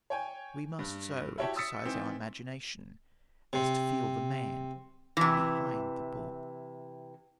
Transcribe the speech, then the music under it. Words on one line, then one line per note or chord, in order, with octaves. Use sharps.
We must so exercise our imagination as to feel the man behind the book.
C#5 G5 G#5
G2
E4 F#4 G4 C#5 G5 A5
D#6 E6 A6 B6 C#7
D#3 E3 C4
C3
C3 E3